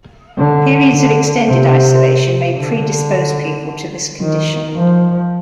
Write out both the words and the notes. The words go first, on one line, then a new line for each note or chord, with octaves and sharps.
Periods of extended isolation may predispose people to this condition.
D3
D3
C3
D3
D#3
F3